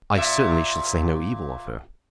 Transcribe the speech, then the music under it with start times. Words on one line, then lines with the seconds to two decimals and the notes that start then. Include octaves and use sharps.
"I certainly shall say no evil of her."
0.15 A#2 E5